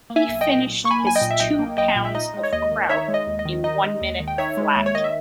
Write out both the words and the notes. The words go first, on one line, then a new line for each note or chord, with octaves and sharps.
He finished his two pounds of kraut in one minute flat.
A#3
E5 G#5
B1
D#5 G5
A#2
B1
A#3 C#6
G#5 B5
B1 G#5
D#5 G5
A#2
E5
B1 D#5 G5
A#3
B1 D#5 G5
A#2
E5
D#4 D#5
G#3
C#5
D#2 D#5
D#3
D#4 C#5 E5
G#3
D#5
D#2
D#5
D#3
D#4 D#5
G#3
D#2
D#3
G5
D#4 C#5 E5
G#3
D#2
C#5
D#3 D#5
E5